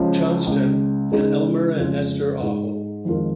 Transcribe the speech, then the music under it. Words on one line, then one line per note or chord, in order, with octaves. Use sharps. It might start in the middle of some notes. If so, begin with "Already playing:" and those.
Johnston and Elmer and Esther Aho.
Already playing: C#2 C#3 F3 C#4 F4
C#2 C#3 G#3
C#3 G#3 D#4 G#4
F2 C#3 G#3 F4 G#4
G#2 G#3 D#4
F2 D#3 G#3 F4 A#4